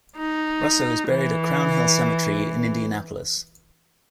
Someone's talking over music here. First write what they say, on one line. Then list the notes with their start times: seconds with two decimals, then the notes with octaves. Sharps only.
Russo is buried at Crown Hill Cemetery in Indianapolis.
0.17 D#4
1.10 E3